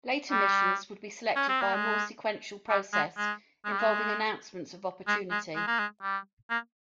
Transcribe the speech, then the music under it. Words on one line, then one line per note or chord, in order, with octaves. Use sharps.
Later missions would be selected by a more sequential process involving Announcements of Opportunity.
G3
C#4
C4
A#3
G#3
G3
G#3
G#3
G#3
G3
G#3
G#3
G#3
G#3
A#3
G#3
G3
A#3